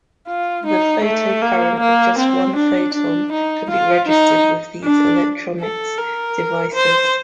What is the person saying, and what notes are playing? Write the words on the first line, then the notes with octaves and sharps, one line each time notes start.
The photocurrent of just one photon can be registered with these electronics devices.
F4
D#4
A3
A#3
A#3
C4
D4
D4
D#4
F4
D#4
D4
A4
A#4
C5